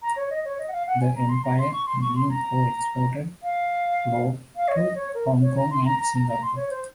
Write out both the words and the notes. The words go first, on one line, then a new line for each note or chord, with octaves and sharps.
The Empire Milling Co exported flour to Hong Kong and Singapore.
A#5
C#5
D#5
C#5
D#5
F#5
F5
F#5
G#5
A#5
C6
A#5
C6
C#6
C6
C#6
C6
A#5
F5
F5
C#5
D#5
C#5
A#4
C#5
A#5
C6
A#5
A#5
A#5
A#5
C6
C#5
C5